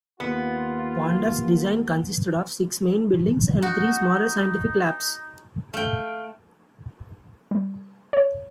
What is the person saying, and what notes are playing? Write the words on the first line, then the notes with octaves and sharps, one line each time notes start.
Ponder's design consisted of six main buildings and three smaller scientific labs.
D#2 B3 F4
D#4 F#4
A3 F5 G5
G3
C#5